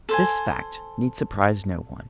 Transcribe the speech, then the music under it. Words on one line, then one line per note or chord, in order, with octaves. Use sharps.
This fact need surprise no one.
A4 C5 G#5